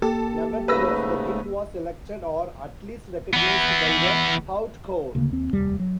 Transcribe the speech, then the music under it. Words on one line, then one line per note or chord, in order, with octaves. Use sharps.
Nevertheless, the king was elected, or at least recognized, by the Haute Cour.
A#3 G4 A4
G#2 C#3 A3 B4 E6 A#6
E3 B3
D2 C#3 A#3
D#2 C4
F1 D#2 G3
F#3